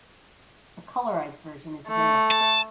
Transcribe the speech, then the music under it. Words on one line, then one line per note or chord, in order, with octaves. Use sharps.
A colorized version is available.
A3
A5